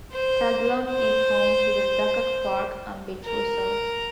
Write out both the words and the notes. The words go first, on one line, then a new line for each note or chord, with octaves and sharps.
Taguilon is home to the Dakak Park and Beach Resort.
C5
C5
A#4